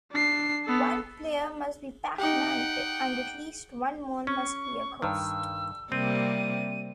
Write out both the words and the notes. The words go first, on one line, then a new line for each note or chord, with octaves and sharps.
One player must be Pac-Man, and at least one more must be a Ghost.
D4 C7
B3 A4
D#4 G4 F#5 G5
C#4 C#6
G2 D#3 E6
C3 G3 A#3 C4 D#7